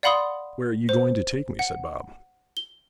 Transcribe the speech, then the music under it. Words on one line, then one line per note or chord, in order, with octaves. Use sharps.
'Where are you going to take me?' said Bob.
D5 F5 F#5 B5 C6 D#6
C5
F#5
G7